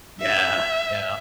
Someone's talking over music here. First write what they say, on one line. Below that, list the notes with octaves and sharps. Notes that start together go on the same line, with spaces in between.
Yeah, yeah,
E5